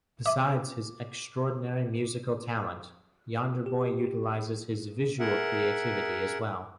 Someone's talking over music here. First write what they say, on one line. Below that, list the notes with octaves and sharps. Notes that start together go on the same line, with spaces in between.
Besides his extraordinary musical talent Yonderboi utilizes his visual creativity as well.
E5 D6
G4
G#4 A#4 E5 F#5